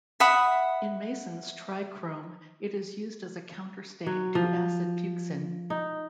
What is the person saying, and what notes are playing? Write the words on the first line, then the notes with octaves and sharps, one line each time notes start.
In Masson's trichrome it is used as a counterstain to acid fuchsin.
E5 F#5 B5 D#6
F#3
F3
D#4